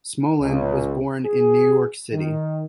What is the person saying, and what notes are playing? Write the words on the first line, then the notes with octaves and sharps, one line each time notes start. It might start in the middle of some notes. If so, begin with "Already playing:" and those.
Smolin was born in New York City.
C#2
G#4
D#3